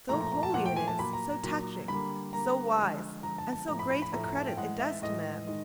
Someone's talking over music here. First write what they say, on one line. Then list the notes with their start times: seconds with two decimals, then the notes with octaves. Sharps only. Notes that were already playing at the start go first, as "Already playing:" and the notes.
So holy it is, so touching, so wise and so great a credit it does to man.
0.09 A#2 F3 A3 A#5
0.21 A#5
0.32 A#5
0.43 A5
0.54 A#2 F3 A3 F#5
0.66 G5
0.76 G#5
0.88 A5
0.99 A#2 F#3 A#3 B5
1.13 A#5
1.29 A#5
1.44 A#2 F#3 A#3
1.88 D3 G3 A#3 B5
2.33 D3 G3 A#3 A#5
2.78 D3 F3 G#3
3.23 D3 F3 G#3 A#5
3.38 A5
3.52 A5
3.68 A2 F3 A3 A#5
3.79 B5
3.90 B5
4.02 B5
4.12 A2 F3 A3 A#5
4.24 A#5
4.36 A5
4.47 G5
4.57 A2 E3 G#3 F#5
4.80 E5
5.02 A2 E3 G#3 D#5
5.47 D#3 G#3